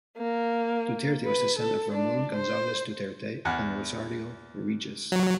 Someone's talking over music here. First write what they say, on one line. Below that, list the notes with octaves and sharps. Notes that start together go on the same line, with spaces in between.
Duterte was the son of Ramon Gonzales Duterte and Rosario Regis.
A#3
B4
A4
D4
C5
E2 F#5 F6
F#3